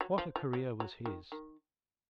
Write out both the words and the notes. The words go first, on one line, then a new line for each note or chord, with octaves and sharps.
What a career was his!
F#3
F3
F3
F#3
F#3
D#3
D#3